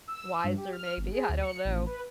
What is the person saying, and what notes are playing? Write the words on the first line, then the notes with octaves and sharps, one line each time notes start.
wiser, maybe, I don't know
E6
G2
G4
F6
G1
G#4
D2
C#7
A1
B4